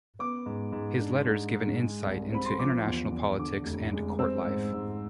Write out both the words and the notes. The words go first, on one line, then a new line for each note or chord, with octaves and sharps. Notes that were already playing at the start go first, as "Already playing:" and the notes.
His letters give an insight into international politics and court life.
B3 D6
G#2
G#2
D4
G#2
G#2
G#3
C2
C4 B5
C6
F3 D6
E2
E2
D3 D6
F1
G#3
C4 E6
G#2
G#2